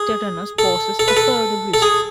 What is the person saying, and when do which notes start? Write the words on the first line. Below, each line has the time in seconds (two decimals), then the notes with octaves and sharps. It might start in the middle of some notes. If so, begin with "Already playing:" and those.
Tetanus poses a further risk.
Already playing: G#4
0.59 A4
0.99 A4
1.08 B4
1.17 A4
1.74 A4
1.82 G#4